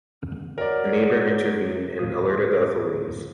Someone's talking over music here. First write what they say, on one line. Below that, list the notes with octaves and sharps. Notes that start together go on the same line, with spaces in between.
A neighbour intervened and alerted the authorities.
F#3 A#4 D5
D#2 A2 F4 D#6